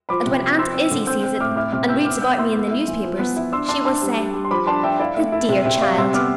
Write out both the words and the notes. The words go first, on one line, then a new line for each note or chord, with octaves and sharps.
And when Aunt Izzie sees it, and reads about me in the newspapers she will say, 'The dear child!
F3 B5 D6
C3
F3
C4 C6 E6
C4
D3
C4 E6 G6
C4
A2 D6 F6
E4 D6 F6
C3 D6 F6
E4 E6 G6
B3 D6 F6
B3 E6 G6
E4 C6 E6
B3
E4
E3
F3
B3
E4
D4 C6 E6
D4 A5 C6
D4 A5 C6
G3
G3
G3
C6
F3 B5 D6
D4 A5 C6
D4 E5 G5
E4 D5 F5
A3 E5
E4
C3 E5
C3 E5 G5
G3 D5 F5
C3 C6 E6
B3 D6 F6